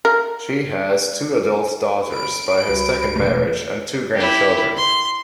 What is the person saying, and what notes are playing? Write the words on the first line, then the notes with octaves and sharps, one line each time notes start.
She has two adult daughters by her second marriage and two grandchildren.
A#4
B5 D7
C#2 G3 F#4
E1 A3
E4 G4
C6